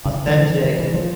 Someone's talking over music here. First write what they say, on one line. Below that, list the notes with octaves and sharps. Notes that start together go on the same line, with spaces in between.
authentic and
C#3
E3
F3
E3
D#3
E3
F3